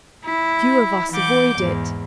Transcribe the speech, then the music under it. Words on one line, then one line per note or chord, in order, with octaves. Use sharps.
Few of us avoid it.
E4
E3 F#5 D6 G6
E2 G#2